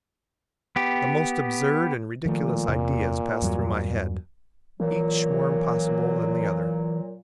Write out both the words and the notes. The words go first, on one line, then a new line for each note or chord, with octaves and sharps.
The most absurd and ridiculous ideas passed through my head, each more impossible than the other.
B3 G4
A#2 D#3 F3 A3
E2 C3
E2 G2 F#3
A#2 E3 F#3